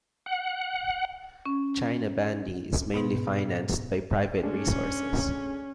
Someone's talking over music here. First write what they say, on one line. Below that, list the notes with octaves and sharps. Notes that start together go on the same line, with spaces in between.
China Bandy is mainly financed by private resources.
F#5
C#4
G#2 B2 B3
G#3 A3 C#4 D4